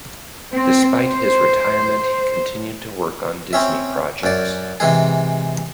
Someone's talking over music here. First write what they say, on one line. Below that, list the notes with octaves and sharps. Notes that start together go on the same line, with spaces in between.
Despite his retirement he continued to work on Disney projects.
C4
C5
C4 C#4 E5
F#2 D5
C3 E3 G#3 G#4